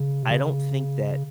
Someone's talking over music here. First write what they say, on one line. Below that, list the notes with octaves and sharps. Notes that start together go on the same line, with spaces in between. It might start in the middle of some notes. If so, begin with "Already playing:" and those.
I don't think that
Already playing: C#3
C3
C#3